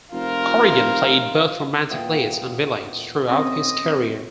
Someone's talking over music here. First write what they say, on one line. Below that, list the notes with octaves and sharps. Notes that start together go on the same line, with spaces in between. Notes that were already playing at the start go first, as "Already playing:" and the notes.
Corrigan played both romantic leads and villains throughout his career.
F1 F4 A#4 C5
E2 A#2 G5 D#6
C4 C#4 D#5